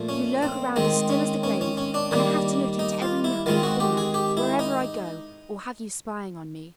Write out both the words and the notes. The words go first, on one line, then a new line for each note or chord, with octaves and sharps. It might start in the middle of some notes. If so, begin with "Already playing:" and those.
"You lurk around as still as the grave, and I have to look into every nook and corner, wherever I go, or have you spying on me."
Already playing: A#2 F3 A3
C#4
C4
D#3 G#3 C4
C#4
C#4
C#4
C#4
D4
D#3 G3 A#3
D#4
F4
E4
D#3 G#3 C4 F4
F#4
G4
G#4
G4
E4
D#4